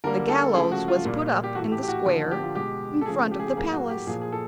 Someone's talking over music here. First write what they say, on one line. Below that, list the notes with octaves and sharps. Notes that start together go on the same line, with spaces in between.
The gallows was put up in the square in front of the palace.
D3 G3 A#3 A#4
A4
C#3 F3 A3 G#4
F#4
F4
A#2 G3 A#3
G4
A2 E3 A3 F#4
G4
G4
F#4
D3 F3 A#3 F#4
G4
F4
B2 G#3 G4
A4
C#3 F3 A3 G#4
G4
G#4
G4
A2 F#3 A#3 G#4
F#4
G4
A#2 F3 A#3 G#4
G#4
A4